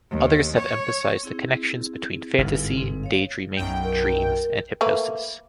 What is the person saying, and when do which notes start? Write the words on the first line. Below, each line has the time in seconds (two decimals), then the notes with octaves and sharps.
Others have emphasized the connections between fantasy, daydreaming, dreams, and hypnosis.
0.11 D#2
0.57 C#5
1.23 C4 E4 G#4
2.38 G1 G#2
2.78 C4
3.03 C#5 F5
3.57 B1 F#2 G5
3.84 A#4
4.81 A3 A#3 B4